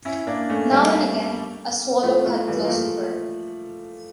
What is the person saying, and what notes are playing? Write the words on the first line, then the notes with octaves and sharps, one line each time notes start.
Now and again, a swallow cut close to her.
C#4 E4
A#3 D4
A3 C#4
G3 A#3
F3 A3
F3 A3
E3 G3
A#3
F3 A3